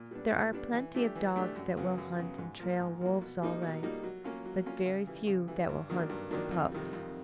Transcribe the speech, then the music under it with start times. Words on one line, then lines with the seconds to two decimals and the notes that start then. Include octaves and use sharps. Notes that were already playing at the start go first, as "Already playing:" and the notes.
There are plenty of dogs that will hunt and trail wolves all right, but very few that will hunt the pups.
Already playing: A#2
0.11 G3 B3 D4
0.32 A#2
0.53 G3 B3 D4
0.73 E3
0.95 A3 D4 G4
1.15 E3
1.36 A3 D4 G4
1.56 F#2
1.77 C#3 F#3 B3
1.98 F#2
2.18 C#3 F#3 B3
2.38 G#2
2.60 F3 A#3
2.80 G#2
3.01 F3 A#3
3.22 B2
3.42 G3 A#3 D#4
3.62 B2
3.83 G3 A#3 D#4
4.04 F#3
4.24 A#3 C#4 F4
4.45 F#3
4.66 A#3 C#4 F4
4.86 C#3
5.07 E3 G3
5.27 C#3
5.48 E3 G3
5.69 G2
5.90 D#3 F#3 A#3 D4
6.10 G2
6.31 D#3 F#3 A#3 D4
6.51 F2
6.72 C3 D#3 G3
6.93 F2